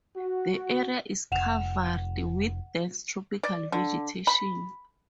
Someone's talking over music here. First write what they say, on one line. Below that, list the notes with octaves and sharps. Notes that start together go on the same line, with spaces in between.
The area is covered with dense tropical vegetation.
F#4
F1 F#5 E7 F7
D5
D3
B5